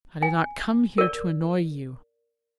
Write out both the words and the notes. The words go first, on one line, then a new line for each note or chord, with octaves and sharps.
I did not come here to annoy you.
G#5
A#4 D5